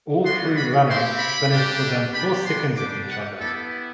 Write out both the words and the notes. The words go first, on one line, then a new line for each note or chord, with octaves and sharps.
All three runners finished within four seconds of each other.
G3 B3 F#4 C6
B5
C4 E4 G4 C6
B5
G3 D4 G4
B3 D4 G4 B5
C6
G3 D4 G4 D6
F#5
B3 E4 G4 A4